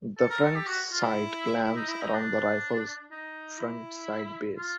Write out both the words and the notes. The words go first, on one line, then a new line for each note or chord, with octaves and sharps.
The front sight clamps around the rifle's front sight base.
A4
A#4
A4
G4
F#4
F4
E4
E4
D#4
E4
D#4
D4
D#4
E4
F4